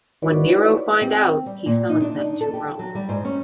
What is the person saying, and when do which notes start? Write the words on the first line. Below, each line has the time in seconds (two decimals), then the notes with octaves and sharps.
When Nero find out, he summons them to Rome.
0.22 D#4 E4 F#4 B4 C#5 D5
1.02 C4
1.46 G3
1.66 A#2
1.89 D#4
2.02 D4
2.21 D#4
2.41 A4
2.53 G4
2.79 F#3
2.95 G3
3.09 G#2
3.25 C#4